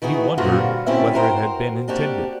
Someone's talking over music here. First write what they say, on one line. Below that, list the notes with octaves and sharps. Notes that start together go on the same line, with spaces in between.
He wondered whether it had been intended.
D#3 E3 B3 F#4 G#4
G2 A#2 D3 C4 F4 F#4
B2 D3 C4 C#4 E4 E5
F#4 A#4 C5 G5
A#3 C4 D4 F#4 G4